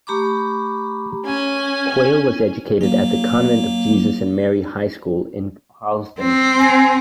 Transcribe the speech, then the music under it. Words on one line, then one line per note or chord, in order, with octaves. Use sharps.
Quayle was educated at the Convent of Jesus and Mary High School in Harlesden.
A3 G4 A#5 B5 C#6 D6
C#4 G#5
F#3 A#3
C4
G#5